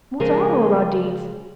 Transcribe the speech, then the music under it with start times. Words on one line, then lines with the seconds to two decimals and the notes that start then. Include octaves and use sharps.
What are all our deeds?
0.20 C#3 F3 G#3 G#4 A#4